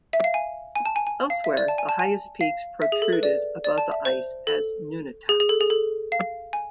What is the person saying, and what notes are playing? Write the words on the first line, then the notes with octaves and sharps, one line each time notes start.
Elsewhere the highest peaks protruded above the ice as nunataks.
E5
F5
G#5
G#5
A5
G#5
G#5
F5
E5
D5
A5
G#5
A5
G#5
F5
E5
G#4
A4
B4
D5
D5
A5
E5
C5
A4
G#4
G#4
A4
G#4
A4
F5
G#5